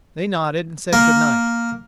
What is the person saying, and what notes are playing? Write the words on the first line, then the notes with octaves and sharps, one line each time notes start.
They nodded and said good-night.
A#3